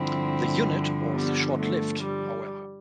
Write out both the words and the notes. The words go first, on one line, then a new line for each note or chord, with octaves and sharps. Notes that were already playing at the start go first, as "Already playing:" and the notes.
The unit was short-lived, however.
Already playing: G2 D3 F3 C4 E4
G3 B3
A3
G3